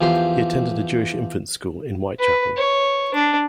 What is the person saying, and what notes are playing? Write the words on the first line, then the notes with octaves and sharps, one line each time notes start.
He attended a Jewish Infants School in Whitechapel.
E2 F3 G4 C6
B4
C#5
D4